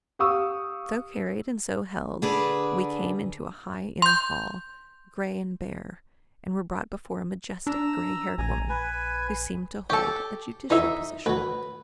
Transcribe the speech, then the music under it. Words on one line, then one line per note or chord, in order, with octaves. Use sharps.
So carried and so held, we came into a high inner hall, gray and bare, and were brought before a majestic gray-haired woman who seemed to hold a judicial position.
G4 F5 C#6 D#6 E6
D3 D4 G#4 B4
C6 G6
D4 A#5 E6
A#1 G#5 A#5
B4 G#5
G4 A4 C#5
F2 D3 E3 D#4 E5
D2 F#3 B4